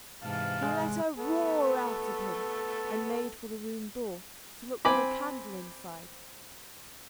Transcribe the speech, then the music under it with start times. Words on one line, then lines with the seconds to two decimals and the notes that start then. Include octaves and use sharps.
He let a roar out of him, and made for the room door, to look for a candle inside.
0.23 G#2 C3 E3 F5 A5
0.63 G#3
1.17 A3 B3 A4
4.85 C4 G#5 B5 D6